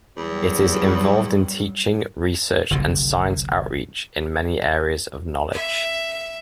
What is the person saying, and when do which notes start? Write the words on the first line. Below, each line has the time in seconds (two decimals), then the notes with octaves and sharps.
It is involved in teaching, research and science outreach in many areas of knowledge.
0.17 E2 F#3 G3
2.70 F#1 C2 A#2 D3
5.52 E5